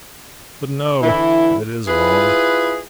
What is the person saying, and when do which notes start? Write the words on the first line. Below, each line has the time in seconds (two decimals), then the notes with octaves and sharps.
But no--it is long.
1.02 D3 E3 E4
1.88 E4 F4 G#4 B4